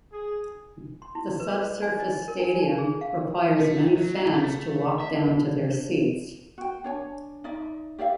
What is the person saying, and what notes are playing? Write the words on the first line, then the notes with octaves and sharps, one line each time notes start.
The subsurface stadium requires many fans to walk down to their seats.
G#4
C6
E4
B4
C5
G#5
D#5
A#4
G#5
D#4
G#4
F5
A3
F#3
A3
E5
D4
F#4 G5
D4 C#5 G#5
D#4 D5 E5
G4 D5 E5 F5